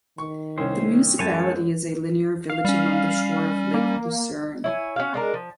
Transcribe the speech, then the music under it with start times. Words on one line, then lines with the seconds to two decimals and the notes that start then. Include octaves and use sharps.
The municipality is a linear village along the shore of Lake Lucerne.
0.18 D#3 C#6
0.58 C2 C#4 C5 C#5
1.19 F#2 G#3 C#5 G#5 A5
2.50 F5
2.65 G3 C#4
3.74 A#3
4.64 E4 C#5 G#5
4.96 C#4 F#4 F5
5.14 G#3 D4 A#4
5.34 F3